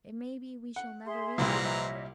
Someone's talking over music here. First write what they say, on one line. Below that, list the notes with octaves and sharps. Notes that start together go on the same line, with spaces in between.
It may be we shall never reach the Valleys.
F#5
G#4 E5 C6
C2 A#2 E3 G3 C4 A#5
C#5 D#5 E5